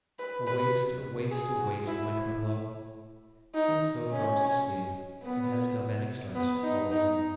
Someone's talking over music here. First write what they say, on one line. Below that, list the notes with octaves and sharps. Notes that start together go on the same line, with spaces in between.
A waste, a waste, a waste, my Twemlow!' And so drops asleep, and has galvanic starts all over him.
B4
B4
G#4
F#4
E4
D#4
C#4
B3
B3
D#4
D#4